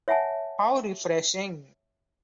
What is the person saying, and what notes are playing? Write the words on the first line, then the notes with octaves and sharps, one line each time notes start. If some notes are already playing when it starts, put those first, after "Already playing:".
How refreshing!
C#5 E5 F#5 G#5 A5